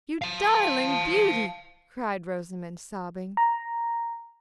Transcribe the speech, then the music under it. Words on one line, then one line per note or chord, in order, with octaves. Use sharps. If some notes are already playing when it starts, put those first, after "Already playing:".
"You darling beauty!" cried Rosamond, sobbing.
F5 A5
A#5